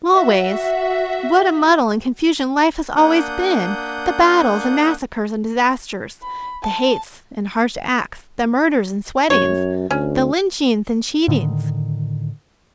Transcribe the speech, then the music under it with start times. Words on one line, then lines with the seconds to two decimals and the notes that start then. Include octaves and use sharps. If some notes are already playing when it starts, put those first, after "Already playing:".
Smallways, what a muddle and confusion life has always been--the battles and massacres and disasters, the hates and harsh acts, the murders and sweatings, the lynchings and cheatings.
0.13 F#4 E5
2.96 A#3 D4 F#5 D#6 G6
6.22 B5
6.62 A5
9.30 F#2 C#5
9.91 D2 C#4
11.28 A2 D3 D#3